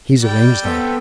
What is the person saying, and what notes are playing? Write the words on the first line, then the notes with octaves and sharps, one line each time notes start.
He's arranged that.
G3 D5 G5
B3 C4 A4